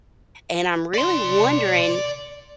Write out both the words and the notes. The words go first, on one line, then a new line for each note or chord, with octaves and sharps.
and I'm really wondering,
D5 C6